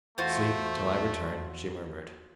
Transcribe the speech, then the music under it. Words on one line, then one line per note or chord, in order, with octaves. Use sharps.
"Sleep till I return," she murmured.
E2 A3 F4 F#4 C5